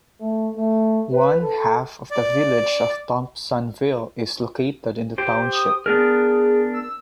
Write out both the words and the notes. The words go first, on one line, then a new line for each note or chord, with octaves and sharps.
One half of the village of Thompsonville is located in the township.
A3
A3
B4
A4
D5
G4 C5
D#6
B3 D4 G#4 A#4
E6